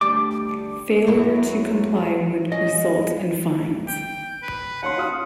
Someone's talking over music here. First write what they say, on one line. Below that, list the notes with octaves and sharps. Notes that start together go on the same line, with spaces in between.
Failure to comply would result in fines.
D2 G3 D4 D6
F#2 F#3 E4
C#4 D#5
G5
B4
D#2 C#4 F#5 C6
F4 D#6 F6